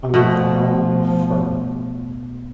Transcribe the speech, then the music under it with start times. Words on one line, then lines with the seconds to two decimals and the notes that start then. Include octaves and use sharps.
Under the helm of Fr.
0.14 B2 F3 A3